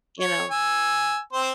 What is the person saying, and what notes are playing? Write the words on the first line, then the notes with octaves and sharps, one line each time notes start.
You know?
C#5
G#5 E6
C4 C5